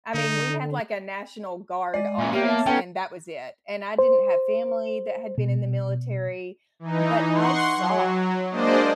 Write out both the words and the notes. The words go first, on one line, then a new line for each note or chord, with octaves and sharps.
I mean, we had, like, a national guard office and that was it, and I didn't have family that had been in the military, but I saw
D3 D#4
G#3 D5 D#5
A#2 C#3
A#3 B3 G4 C#5 E5
A5
B3 C#4 D#4 A4 G5 A#5
C5
B2
E3 D#4
F#5 C6 C#6
F#3
G#3 A#3 D4 C5 D5 D#5